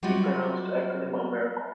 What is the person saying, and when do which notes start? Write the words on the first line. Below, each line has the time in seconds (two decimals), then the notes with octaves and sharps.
He pronounced the acronym, a miracle.
0.03 F#3 G3 F4 F#4 D#5